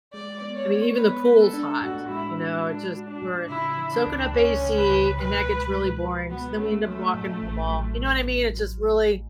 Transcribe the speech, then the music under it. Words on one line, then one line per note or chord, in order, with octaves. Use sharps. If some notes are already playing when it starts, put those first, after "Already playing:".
I mean, even the pool's hot, you know, it just we're soaking up AC, and that gets really boring, so then we end up walking in the mall, you know what I mean, it's just really
G#3 D5
B3
C#5
B3
B3 B4
B3
A4
D4
A2 F#4
G#3 E4
E4 F#4
G#3 D4
F#4
D4
A2
C#3 E4
E3
D4
C#2
C#2 C#4
C#3
B4
C#2
B2 B4
G#3
B2
F#4
B3 F#4
A3 C#4
F#3 A3
A2
A1
F#3
A2
A1
F#3
A2
A2